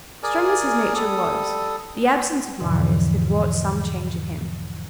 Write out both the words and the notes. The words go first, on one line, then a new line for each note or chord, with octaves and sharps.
Strong as his nature was, the absence of Marius had wrought some change in him.
G#4 A#4 D5 G#5
G3 A4 D#6
E2 G#2 B2 D3 E3 F3